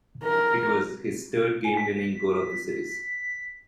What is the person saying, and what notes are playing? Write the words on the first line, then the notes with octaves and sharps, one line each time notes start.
It was his third game-winning goal of the series.
A#4
G#5
B6